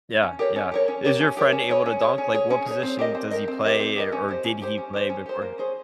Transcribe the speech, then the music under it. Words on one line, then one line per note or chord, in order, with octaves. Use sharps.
Yeah, yeah. Is your friend able to dunk? Like, what position does he play, or did he play before
C#4
G4 A#4 C#5
C#4
G4 A#4 C#5
C#4
G4 A#4 C#5
C#4
G4 A#4 C#5
C#4
G#4 C#5
C#4
G#4 C#5
C#4
G#4 C#5
C#4
G#4 C#5
C4
G4 A#4 D#5
C4
G4 A#4 D#5
C4
G4 A#4 D#5
C4
G4 A#4 D#5
C#4
G4 C5
C#4
G4 C5
C#4
G4 C5
C#4
G4 C5
A#3
C#4 G#4 C5